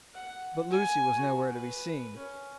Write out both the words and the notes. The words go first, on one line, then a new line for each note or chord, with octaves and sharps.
But Lucy was nowhere to be seen.
F#5
G#5
F#4
B4
C#4